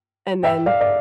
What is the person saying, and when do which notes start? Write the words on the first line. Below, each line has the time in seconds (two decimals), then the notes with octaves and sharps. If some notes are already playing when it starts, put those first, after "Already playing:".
and then
0.43 E5 G5
0.66 D5 F5
0.81 D5